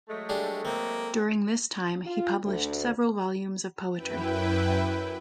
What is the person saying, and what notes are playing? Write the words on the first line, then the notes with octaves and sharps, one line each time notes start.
During this time, he published several volumes of poetry.
F#3 G#3 A3
G3 D4 G#4
A#3 C4
F4
D2
F#2 E4 B4 G5